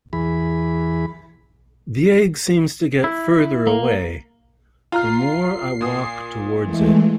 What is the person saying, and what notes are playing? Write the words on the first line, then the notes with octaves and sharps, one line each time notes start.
The egg seems to get further away the more I walk towards it.
E2 E3 G#4 B5
E4
A#3
F4 A#5 F6 C7
A#2 D#6
E3 G#3 A3